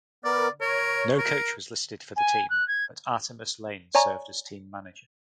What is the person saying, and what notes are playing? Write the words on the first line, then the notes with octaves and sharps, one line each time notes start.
No coach was listed for the team but Artemus Lane served as team manager.
B3 A#4 D5
A#4 C#5
A#4
G#5
F#6
G#6
C#5 D5 G#5 A#5 C#6